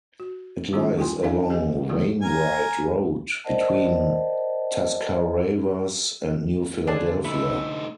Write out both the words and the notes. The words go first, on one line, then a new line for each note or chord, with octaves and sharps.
It lies along Wainwright Road, between Tuscarawas and New Philadelphia.
F#4
D#3 G3 B3 C#4 E4 F4
E4 F4 G5 G#5 C6
C#4 D#4 D5 E5 F5 G#5
G4 A4 D#5 G#5
D3 F3 G#3 A#3 E4 A4
A#4 G#5
A#4 C5 D5 D#5 F#5 A5
D3 D4 G#4 A5
A3 D#4 E4